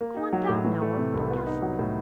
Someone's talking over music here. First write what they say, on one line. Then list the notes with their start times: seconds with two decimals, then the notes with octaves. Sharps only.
Go on down now, or they'll guess something.
0.01 A#3
0.17 D#4
0.33 F#3
0.49 A2
0.64 E3
0.81 A3
0.97 C3
1.14 C2
1.30 B3
1.47 D#4
1.62 F#3
1.79 A2